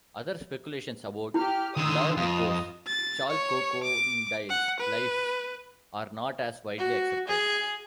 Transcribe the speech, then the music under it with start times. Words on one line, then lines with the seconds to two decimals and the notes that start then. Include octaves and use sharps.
Other speculations about Laonikos Chalkokondyles' life are not as widely accepted.
1.34 E4 G4 F6
1.77 D3 D#3 C6 D#6 E6
2.17 F2 F4 D#5 D#6
2.88 A6
3.30 C#5
3.84 D6
4.50 F#5
4.80 B4
6.78 F#4
7.27 G#4